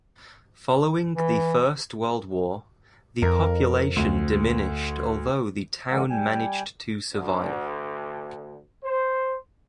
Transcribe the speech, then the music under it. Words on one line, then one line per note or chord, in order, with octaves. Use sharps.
Following the First World War, the population diminished although the town managed to survive.
E3
F2 A#4
D2
D3 E3 G#3 A#4 F#5 D6
G3 G5 G#5
D2
C5